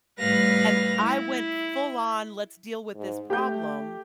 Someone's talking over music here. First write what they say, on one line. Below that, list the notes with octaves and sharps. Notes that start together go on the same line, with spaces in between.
and I went full-on, "Let's deal with this problem,
A2 G3 B4 F5 A#6
E4
G#2
A3 G4 G6